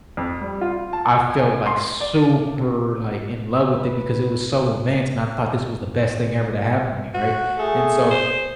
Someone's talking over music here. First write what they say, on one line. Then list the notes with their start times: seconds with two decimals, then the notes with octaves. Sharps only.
I felt, like, super, like, in love with it because it was so advanced and I thought this was the best thing ever to happen to me, right, and so,
0.17 F2
0.41 G3
0.61 F4
0.93 A5
1.30 G#5
1.66 C6
2.01 D5
2.56 C3
3.72 B4
7.14 F#4
7.59 A3 G#4
8.10 C5